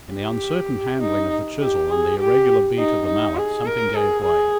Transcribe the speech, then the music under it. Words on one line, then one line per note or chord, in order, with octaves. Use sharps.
In the uncertain handling of the chisel and the irregular beat of the mallet something gave way.
G4
D#4
G4
G#4
G4
D#4
D#4
G#4
A#4
G#4
G#4